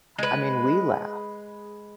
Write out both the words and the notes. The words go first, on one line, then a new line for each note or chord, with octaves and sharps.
I mean, we laugh,
G#3 B4